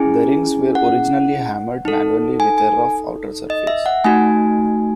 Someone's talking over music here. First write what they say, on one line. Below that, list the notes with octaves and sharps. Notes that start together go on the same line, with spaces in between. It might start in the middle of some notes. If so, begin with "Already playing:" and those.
The Rings were originally hammered manually with a rough outer surface.
Already playing: C#4 E4 G#4 G#5
F#5
D#4 A4
G#5
G#5
D#5
E5
F#5
A3 D#4 F#4 G#5